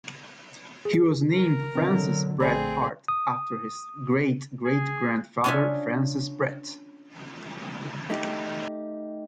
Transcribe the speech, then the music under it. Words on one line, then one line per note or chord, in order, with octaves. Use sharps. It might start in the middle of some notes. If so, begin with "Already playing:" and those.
He was named Francis Brett Hart after his great-grandfather, Francis Brett.
G#4
A#4
B2 D3 F#3 C4 D#5
A#1 A3 C4 G#4 D5 B5
D#6
G#4
C#4 D4 F4 G#4 C#5 E5
A3 D#4 G4